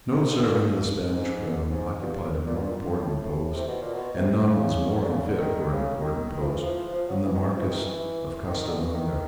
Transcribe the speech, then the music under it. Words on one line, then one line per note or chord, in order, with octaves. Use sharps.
No servant of the Spanish Crown occupied a more important post, and none was more unfit for an important post, than the Marquess of Gastanaga.
G#2
G2
G2
G#2
G2
G#2
G#2
G2
A#2
B2
A#2
A2
A2
C3
B2
A#2
B2
C3
C#3
D3
C#3
D3
D#3
C#3
D#3
D#3
F3
E3
F3
F3
F#3
E3
D#3
E3
F3
E3
D#3
E3
D#3
D#3
D3
E3
D#3